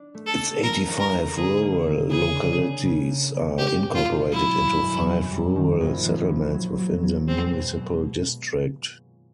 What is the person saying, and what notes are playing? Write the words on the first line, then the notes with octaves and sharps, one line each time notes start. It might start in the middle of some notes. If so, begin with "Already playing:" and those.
Its eighty-five rural localities are incorporated into five rural settlements within the municipal district.
Already playing: D4
A3
A4
D4
F3 A#4
E2
A#4
A3
D3 G#4
A#3
A#3
C#3 G#4
D4
C#3
C#3
A#3
C#3
G#3 G4
B2
F4
B2
F#3 E4
G1
F#2
F#2
G3
D#3
A#1
F3
A#1
F#3
F#3
F#3
G#3 C4
B2
B2